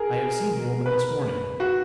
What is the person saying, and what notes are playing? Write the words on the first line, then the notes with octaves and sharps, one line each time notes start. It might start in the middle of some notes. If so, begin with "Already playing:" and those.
'I have seen the woman, this morning.
Already playing: G#4 A#4
B4
F#4